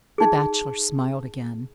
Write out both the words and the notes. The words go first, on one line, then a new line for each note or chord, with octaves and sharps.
The Bachelor smiled again.
D#4 G#4